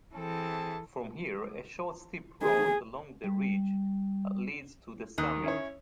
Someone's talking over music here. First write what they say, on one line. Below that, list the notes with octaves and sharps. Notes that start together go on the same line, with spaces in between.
From here a short steep route along the ridge leads to the summit.
E3 C4 G#4 A4 A5
G#4
G3
D#2 D#3 F#6
C#4 E4 C#5